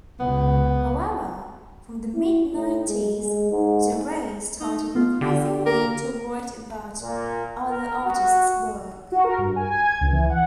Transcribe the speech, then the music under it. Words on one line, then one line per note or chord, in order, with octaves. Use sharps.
However, from the mid-nineties Jaray started increasingly to write about other artists' work.
C#2 B3
E4
A2
G#3
G#3
G#2
D#4
B3 F4
D3 G4
A#3 A#4
A#2
A#4
F#4
F#4
A#4
G2
G#5
G#5
G#6
C#2
E3
F#5